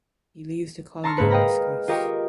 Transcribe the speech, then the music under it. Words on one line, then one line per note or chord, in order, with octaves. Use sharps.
He leaves the colony in disgust.
A5 A#5 C6 C#6 E6 F6
G#2 A#3 B4 C#7
D#5 F5 G5 A#5 B5
F4 G4 A#4 D#5 G5 C#6